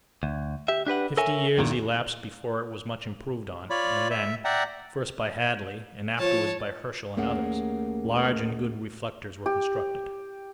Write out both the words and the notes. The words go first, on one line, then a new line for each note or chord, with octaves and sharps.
Fifty years elapsed before it was much improved on, and then, first by Hadley and afterwards by Herschel and others, large and good reflectors were constructed.
D2
G4 E5
D4 G4 B4 F#5
A4 A#4 C#5 E5 G#5
E2 G2 A#2 D3 D#3
F4 C#5 D5 B5
E5
D5 E5 F#5 G5 A#5
F3 C#5 A5
D#2 A3 A#3 C#4 G#4 F#5
G4